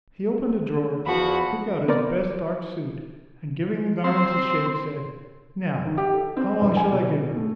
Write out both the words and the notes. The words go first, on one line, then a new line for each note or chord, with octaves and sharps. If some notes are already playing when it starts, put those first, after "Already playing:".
He opened a drawer, took out his best dark suit, and giving the garments a shake, said, "Now, how long shall I give you?"
E2 F3 F#4 B5
B3 A#4 C5 D5
C4
D#3
G4
A4
C4
E1
G#5
B2
A3